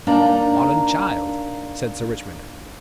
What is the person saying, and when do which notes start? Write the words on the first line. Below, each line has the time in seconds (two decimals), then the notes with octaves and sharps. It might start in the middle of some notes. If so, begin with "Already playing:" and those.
"Modern child," said Sir Richmond.
0.07 A#3 D4 D#4 D5 A#5